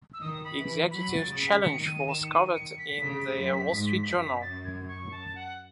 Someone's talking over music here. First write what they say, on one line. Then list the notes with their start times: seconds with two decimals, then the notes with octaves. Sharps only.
"Executive Challenge" was covered in "The Wall Street Journal".
0.13 E6
0.21 D#3 D#6
0.44 B5
0.56 E3
0.91 F#3 B5
1.15 A6
1.26 C#3
1.38 B6
1.61 D#3 C#7
1.85 D#7
2.08 E7
2.23 C#7
2.31 D#7
2.55 C#7
2.79 B6
3.02 C#3
3.36 F#2
3.72 G#2
4.07 F#2
4.41 A6
4.64 G#6
4.88 C#6
5.12 A5
5.35 F#5